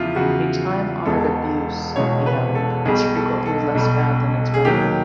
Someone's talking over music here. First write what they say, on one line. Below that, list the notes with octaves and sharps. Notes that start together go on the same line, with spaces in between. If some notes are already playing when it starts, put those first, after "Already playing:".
A time-honoured abuse, he held, is frequently less bad than its remedy.
Already playing: E2 C#3 F3 E4 F4
E2 C#3 F3 F#4
E1 E2 B2 G#3 A4
E1 E2 B2 G#3 C#5
B4
A4
B1 B2 G3 G#4
A4
A4
B1 B2 G3
G#4
D#2 D#3 F#3 G4